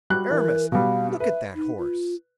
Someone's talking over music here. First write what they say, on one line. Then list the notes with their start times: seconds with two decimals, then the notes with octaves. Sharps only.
"Aramis, look at that horse!"
0.10 G3 F#4 F#6
0.31 E3 A#4
0.72 B2 G3 F5
1.20 B4 E5
1.55 D#4
1.78 F4